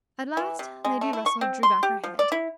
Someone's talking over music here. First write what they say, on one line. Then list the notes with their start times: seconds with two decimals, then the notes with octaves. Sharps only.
At last, Lady Russell drew back her head.
0.37 E3
0.59 C3
0.85 G#3
1.01 A3
1.13 E4
1.26 C#6
1.41 C4
1.63 C6
1.83 G4
2.04 F3
2.19 D5
2.32 E4